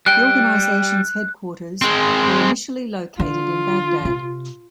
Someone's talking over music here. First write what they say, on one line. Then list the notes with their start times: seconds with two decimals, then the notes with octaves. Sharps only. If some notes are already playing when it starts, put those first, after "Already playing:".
The organization's headquarters were initially located in Baghdad.
0.06 G3 G5 F#6
1.82 G#3 C4
3.20 D3 F4
4.05 C3